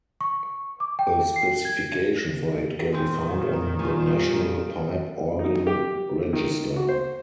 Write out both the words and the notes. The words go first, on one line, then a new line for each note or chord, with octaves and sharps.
A specification for it can be found on the National Pipe Organ Register.
C#6
D6
G5
C7
G#6
A#2 D#3 G#3 C4
C3 F3 G3 C#4 F4
D#4
G4
D#3
F#4
C5